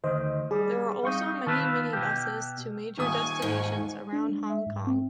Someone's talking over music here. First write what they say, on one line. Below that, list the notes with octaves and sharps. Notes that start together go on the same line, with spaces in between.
There are also many minibuses to major destinations around Hong Kong.
D2 D#3 C5 D#5
G3 G#4
G3 C4 D#4 F5 C#6 G6
D#3 F4 B4 A5 E6 F6
B2 G4
D#1 D#2 G#5 C#6 D#6
G#2
D4
G#3
E5
G#2
C4